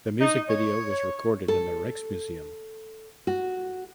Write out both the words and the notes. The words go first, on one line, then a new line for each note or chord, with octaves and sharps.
The music video was recorded in the Rijksmuseum.
D#4
C#5
A4
F#4